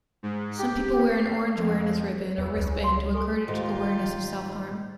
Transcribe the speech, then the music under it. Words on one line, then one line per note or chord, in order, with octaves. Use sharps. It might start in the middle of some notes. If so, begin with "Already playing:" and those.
Some people wear an orange awareness ribbon or wristband to encourage awareness of self-harm.
G#2
G4
C7
F2
E2 G#4 B4 C#5
C#2 C#4
G#5 C6
A4 G#5 C#6
G#2 D#3 F4 G4